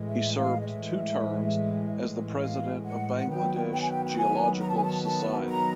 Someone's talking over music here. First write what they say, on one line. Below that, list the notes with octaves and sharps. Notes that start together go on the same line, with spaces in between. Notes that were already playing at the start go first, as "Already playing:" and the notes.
He served two terms as the President of Bangladesh Geological Society.
Already playing: A2 E3 G#3
E5
F5
D#5
E5
F5
F#5
F#5
D#3 F#3 B3 G5
G5
G#5
G5
G5
G#5
A#5
A5
G#5
A5
A5
A#5